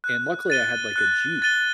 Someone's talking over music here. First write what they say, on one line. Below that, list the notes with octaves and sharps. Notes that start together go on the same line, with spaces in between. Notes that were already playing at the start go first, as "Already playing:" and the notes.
and luckily I had, like, a Jeep
F#6
A6 D#7 G7
F#6
A6 D#7 G7